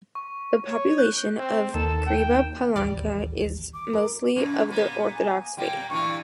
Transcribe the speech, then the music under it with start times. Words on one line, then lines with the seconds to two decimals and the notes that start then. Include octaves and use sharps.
The population of Kriva Palanka is mostly of the Orthodox faith.
0.15 C#6
0.64 C#5
0.98 F#6 G6
1.38 C4
1.74 D#2 D#3 A4 E7
2.07 G5
2.76 D1 A1 D#2 G3 D5
3.74 D6
3.93 A#4
4.36 F#2 A#2
4.69 A#2 B3
5.15 G#5
5.57 A#2 G3 A#3 G5
5.90 G2 A#2 E3 C#6